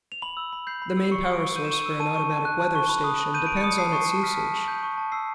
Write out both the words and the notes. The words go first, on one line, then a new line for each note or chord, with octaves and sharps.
The main power source for an automatic weather station depends on its usage.
F7
B5 F#7
E6
B5
G6 C7
B5
E6
C7
C#6 C#7
E6
D7
C#6
G6 D#7
E7
C#6 D#7
E6
A5 D#7
C#6
A5
F#6
A5
C#6
B5
D#6
B5
G6 D#7
B5 D7
C#7
D#6
A5 C7
C#6
C7
A5
F6 B6
A5
C#6
G6
C#6
A5
E6 C7